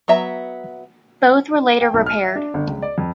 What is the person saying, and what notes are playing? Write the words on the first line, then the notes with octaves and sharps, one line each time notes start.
Both were later repaired.
F#3 B3 E5 A#5
G5
B1
F6
E5
D4
G1
C#2
D5
F2